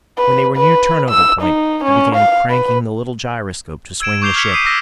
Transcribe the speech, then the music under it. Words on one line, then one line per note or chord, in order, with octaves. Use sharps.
When they were near turnover point, he began cranking the little gyroscope to swing the ship.
B4
B4
E6
D#4
C#4
F5
B4
E6 G#6 D7 E7
C#6 D6 G6 C7 F7 G7
C#6 F6 G#6 B6 C#7 F7
D6 D#6 B6 C7 D#7
D6 E6 A#6 B6